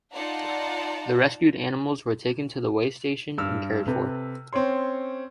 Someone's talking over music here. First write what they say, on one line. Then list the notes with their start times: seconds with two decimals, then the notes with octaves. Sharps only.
The rescued animals were taken to the Waystation and cared for.
0.14 D#4 F4 D5 F#5 A5 A#5
3.38 G2 E6 F6
3.87 C3 A4 B4
4.53 C4 C#4 C#5 C6